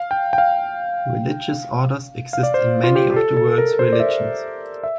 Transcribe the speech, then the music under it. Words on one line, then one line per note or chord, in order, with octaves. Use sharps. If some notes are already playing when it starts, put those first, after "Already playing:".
Religious orders exist in many of the world's religions.
Already playing: F5
G5
G5
F5
F5
D5
C5
F4
G4
G4
A4
A4
A#4
C5
D5
E5
E5